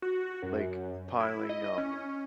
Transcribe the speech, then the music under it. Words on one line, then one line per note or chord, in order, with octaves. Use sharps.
like, piling up,
F#4
F#2
E4
D#5
C#4